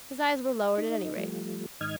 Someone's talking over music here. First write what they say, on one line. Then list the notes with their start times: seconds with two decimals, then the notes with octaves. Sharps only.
His eyes were lowered, at any rate.
0.78 D#4
1.16 F3 G3 A3
1.81 G#2 D#3 D#5 F6 G#6